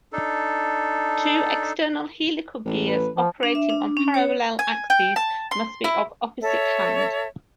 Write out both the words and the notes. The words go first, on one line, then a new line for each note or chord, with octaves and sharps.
Two external helical gears operating on parallel axes must be of opposite hand.
D4 D#4 A4
A1
B4
F3
D4
E5
D4
C#4
C#5
G#5
G5
A5
C6
E4
A4 C#5 E5